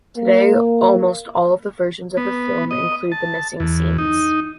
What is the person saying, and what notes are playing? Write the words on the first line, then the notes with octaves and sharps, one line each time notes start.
Today, almost all of the versions of the film include the missing scenes.
A#3
B3
D#5
A5
E2
D#4